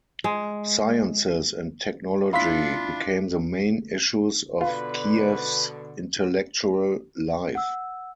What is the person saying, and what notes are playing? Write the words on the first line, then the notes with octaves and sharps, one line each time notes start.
Sciences and technology became the main issues of Kiev's intellectual life.
G#3
D4 E4 F4 F5 B5 C6 B6
B2 D3 F4 B4
F#5 E6